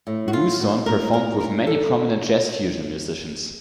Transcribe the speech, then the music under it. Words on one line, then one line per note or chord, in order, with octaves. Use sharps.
Mouzon performed with many prominent jazz-fusion musicians.
A2
F#4
A3 F4
A2 F#4
A2 A#4
A2 A#4
A3 A#4
D3 A4